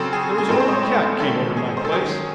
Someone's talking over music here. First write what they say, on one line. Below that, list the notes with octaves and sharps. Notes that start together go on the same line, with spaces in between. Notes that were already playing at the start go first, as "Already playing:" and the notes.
There was an old cat came over to my place.
Already playing: C#3 F#3 C4 A4 C5
G#4
G#4
A2 G#3 C4 A4
C5
D#5
C#5
D#3 G#3 C#4 A4
G#4
C5
A4
D#3 F#3 C#4 G#4